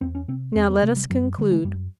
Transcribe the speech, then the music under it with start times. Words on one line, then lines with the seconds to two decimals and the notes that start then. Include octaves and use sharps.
Now let us conclude.
0.01 E2 C4
0.15 C#4
0.28 C3 C4
0.55 E2 C4
0.70 B3
0.83 C3 A3
0.96 G3
1.10 F#2 F#3
1.25 G3
1.38 D3 G3
1.51 G#3
1.65 F#2 G3